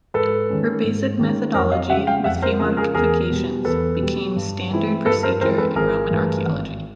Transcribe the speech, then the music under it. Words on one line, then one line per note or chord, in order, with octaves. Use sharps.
Her basic methodology, with few modifications, became standard procedure in Roman archaeology.
G#2 A4 B4
D#3 G#3 C#4
G#2
D#3 G#3 C#4
F2 A#4 C5
D#5 F5
C#3 F3 G#3 E5 F#5
F5 G5
F2 E5 F#5
A#4 C5
C#3 F3 G#3 G#4 A#4
G#4 A#4
E2 G#4 A#4
B2 G3
E2 A4 B4
B2 G3
G2
E3 G#3 C4 E4
G2 A4 B4
A#4 C5
E3 G#3 C4 E4 A#4 C5
A4 B4
G#1 G#4 A#4
G2 E3 A3
G#1